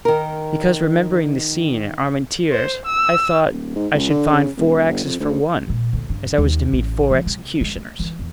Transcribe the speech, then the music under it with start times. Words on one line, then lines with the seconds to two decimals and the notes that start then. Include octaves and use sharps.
"Because, remembering the scene at Armentieres, I thought I should find four axes for one, as I was to meet four executioners."
0.05 D#3 A#4
2.52 C5
2.86 E6
3.53 D#1
3.75 G#2
3.94 C#2
4.10 D3
4.32 C#3
4.57 E1
4.88 G1
5.05 F2
5.20 D2
5.69 A#2
5.93 D2
6.09 G2
6.26 C#2
6.38 D#2
6.72 A1
7.11 F3
7.26 C3
7.61 G#3
7.75 A3
7.99 E3
8.19 E2